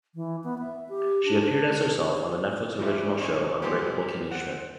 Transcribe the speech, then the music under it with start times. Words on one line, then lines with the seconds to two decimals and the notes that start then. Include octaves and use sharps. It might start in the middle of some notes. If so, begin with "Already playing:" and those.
She appeared as herself on the Netflix original show, "Unbreakable Kimmy Schmidt".
0.15 E3
0.44 B3
0.59 E5
0.89 G4
1.25 D4
1.44 D4
2.79 E3 F3 G3 E4
3.21 B1 C#4 D#4 C#6
3.62 F3 G3 G#3 A#3 B3 G4
4.31 C4 F#5